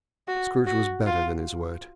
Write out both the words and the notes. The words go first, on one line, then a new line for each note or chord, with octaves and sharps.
Scrooge was better than his word.
F#4
F#4
F4